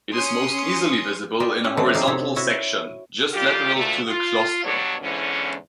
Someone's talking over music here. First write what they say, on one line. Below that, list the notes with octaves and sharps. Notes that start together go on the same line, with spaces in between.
It is most easily visible in a horizontal section, just lateral to the claustrum.
C#4 C6 D#6 C#7
F4 D5 D#5 G5 B5 C6
C#4 E4 G4
E3 F#3 A3 B3 C4 D5
F2 D#4 G4 G#4 D5 F5
C3 D#4 C#5 E5 A5 C6
E4 F#4 B4 C#5 D#5 E5
D#2 G3 F4 G4
D2 A#2 A3
F4
G2 B2 F#3 D4 C#5
E2 G#2 D3 E3 C#4